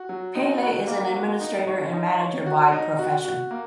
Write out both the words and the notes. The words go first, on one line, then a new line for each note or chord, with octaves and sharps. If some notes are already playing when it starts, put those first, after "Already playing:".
Pele is an administrator and manager by profession.
Already playing: F#4
F#3
D#4
F#4
A#3
F#4
D#4
C#5
D#4
C#5
F#4
D#4
F#4
F#4
A#3